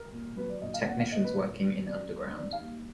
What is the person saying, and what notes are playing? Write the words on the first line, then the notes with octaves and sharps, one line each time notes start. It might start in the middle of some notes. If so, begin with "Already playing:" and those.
Technicians working in underground.
Already playing: A#4
A#2
F#3 B4
D5
A#1 D#5
F5
A#2 F#5
F5
A#2 D#5
B4
A#1 A#4
F#3
F#3 D5
F1
D#3 D5
F5
D#2